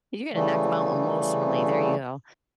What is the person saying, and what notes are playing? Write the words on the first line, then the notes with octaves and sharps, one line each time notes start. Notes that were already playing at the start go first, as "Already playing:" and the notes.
You're gonna knock them out emotionally. There you go.
C#3 E3 G3 A3